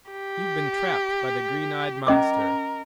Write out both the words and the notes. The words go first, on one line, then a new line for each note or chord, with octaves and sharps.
You've been trapped by the green-eyed monster.
G4
C#4 A#4 D#5 D6